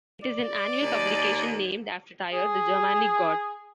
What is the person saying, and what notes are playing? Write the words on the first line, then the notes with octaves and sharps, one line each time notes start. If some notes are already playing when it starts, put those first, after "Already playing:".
It is an annual publication named after Tyr, the Germanic god.
D5
D#2
G#4